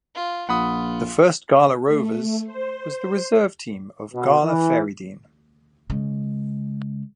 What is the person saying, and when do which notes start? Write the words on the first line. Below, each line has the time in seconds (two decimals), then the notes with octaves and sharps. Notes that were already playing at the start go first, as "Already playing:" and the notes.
The first Gala Rovers was the reserve team of Gala Fairydean.
0.15 F4
0.49 A#1 F4 F#5 B5 D#6
1.86 A3
2.45 C5
4.13 B2
4.43 E3
5.90 C#3 G#3